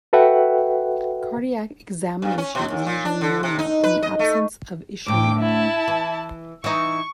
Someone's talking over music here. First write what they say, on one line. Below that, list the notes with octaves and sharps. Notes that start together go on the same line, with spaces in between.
Cardiac examination is usually normal in the absence of ischemia.
F#4 A4 B4 E5 F#5 G5
G2
C#4
B2
D#2
A#2
D4
D3
C3
D#4
B4
D#5
A3
D2 A2 G5 D6
E4 A5
E3
E3 D#4 C#6